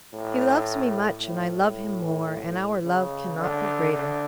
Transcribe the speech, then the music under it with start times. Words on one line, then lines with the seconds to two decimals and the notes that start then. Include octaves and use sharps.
He loves me much, and I love him more, and our love cannot be greater.
0.13 A2
1.22 A2
2.84 C#3
3.39 D3
3.93 D3